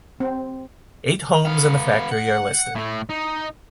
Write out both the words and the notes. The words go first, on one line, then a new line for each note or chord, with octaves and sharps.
Eight homes and the factory are listed.
C4
B3 F5
F#5
A2 A3
D#4